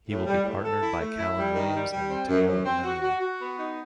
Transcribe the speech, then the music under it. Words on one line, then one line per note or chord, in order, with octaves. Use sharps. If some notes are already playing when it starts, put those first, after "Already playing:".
He will be partnered by Calan Williams and Matteo Nannini.
A2
G3
A2
A4
E4
A3
E4
G3
D#3
G3
G3
C4
F#2
F#2
C4
F#4
F#4
F#4
B3
D#4